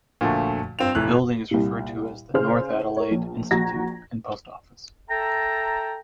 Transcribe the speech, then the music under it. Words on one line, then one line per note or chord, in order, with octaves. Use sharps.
The building is referred to as the North Adelaide Institute and Post Office.
A#2 D3 F3 A3 F#4
G2 C4 F4 G5 F7
F1 A2 E3 F#6
C2 A#2
C#3 G#4 C5 F6
A#4 C#5
A#1
A#1 F#4 A#5 G#6 A#6
A4 E5 G5 A5 A#5